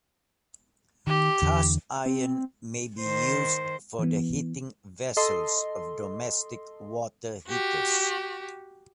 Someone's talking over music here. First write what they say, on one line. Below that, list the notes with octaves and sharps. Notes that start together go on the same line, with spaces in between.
Cast iron may be used for the heating vessel of domestic water heaters.
D#3 G4
E2 D3
C4
D#3 C5
E3 B3
A4 D#5 C6
F#4 G4